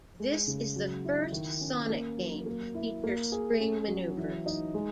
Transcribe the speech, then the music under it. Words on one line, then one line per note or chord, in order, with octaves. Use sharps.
This is the first "Sonic" game to feature spring maneuvers.
G#3
C#3
F#3
E4
D#3
C#4
A#3
F#3
A#3
E4
A#3
G#4
C#4
F#3
E3
D#4
G#3